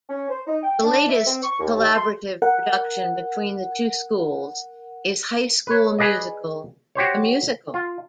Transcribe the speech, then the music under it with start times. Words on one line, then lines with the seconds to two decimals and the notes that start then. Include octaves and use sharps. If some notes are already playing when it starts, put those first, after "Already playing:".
The latest collaborative production between the two schools is High School Musical: The Musical!
0.09 C#4
0.29 C5
0.47 D#4
0.63 G5
0.83 D4
1.08 E5
1.27 C4
1.43 C#6
1.59 D#2
1.76 D#2
1.94 C6
2.42 A#4 F#5
5.67 B4 C#5
5.99 G#4 B4 D5 D#5
6.95 F#4 G4 C5 C#5
7.74 F4